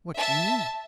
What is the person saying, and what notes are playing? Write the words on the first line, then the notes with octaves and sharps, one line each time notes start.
"What do you mean?"
E5 A5